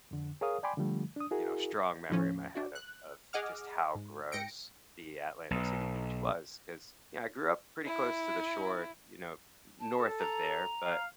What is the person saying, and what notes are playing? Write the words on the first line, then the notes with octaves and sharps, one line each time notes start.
you know, strong memory in my head of of just how gross the Atlantic City Beach was 'cause, you know, I grew up pretty close to the shore, you know, n north of there, but,
F2 D3
G#4 A#4 C#5 F5 D#6
D5 G5 G#5 B5 C6 D6
D3 F3 G3 A3
D4 D#6
E4 F#4 G#4 A#4
D#2 A2 F3 C#4
D4 F#4
F#6
G#4 D#5 F#5 D6 F6
G#2
G#2 G5 A#6 C#7 D7
B1
E4
A5
A4
A#5
F5